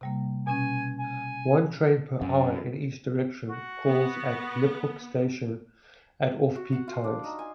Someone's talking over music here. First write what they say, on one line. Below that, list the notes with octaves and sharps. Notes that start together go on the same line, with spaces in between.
One train per hour in each direction calls at Liphook station at off-peak times.
C3 G3 A#3
B2 C#4 G#5
G#5
F#2
F#4
B3
F#4
F#5
F4
D4
D#4
G#5